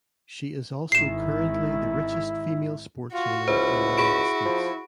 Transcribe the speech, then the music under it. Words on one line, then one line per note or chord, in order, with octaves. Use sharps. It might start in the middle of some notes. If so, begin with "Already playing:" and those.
She is also currently the richest female sports owner in the United States.
G#1 D#3 G#3 E4 C7 E7
F4 F#4
C#2 E4 C5
G#4 B5 D7
F3